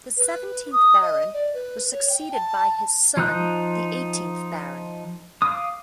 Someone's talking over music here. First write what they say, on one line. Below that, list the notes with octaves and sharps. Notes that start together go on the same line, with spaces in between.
The seventeenth Baron was succeeded by his son, the eighteenth Baron.
B4
D#6
D#5
D5
B4
C#5
G5
A5
F3 D#4 A#5 F#6 G6
F5 D6 D#6